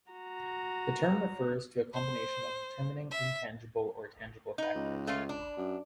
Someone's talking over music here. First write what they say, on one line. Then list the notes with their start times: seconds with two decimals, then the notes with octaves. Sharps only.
The term refers to a combination of determining intangible or tangible factors.
0.11 F#4 A#5
1.93 C5
3.11 E5
4.58 D#4 B4
4.75 C#2
5.07 A3 C#4 F4
5.29 D4
5.57 F#2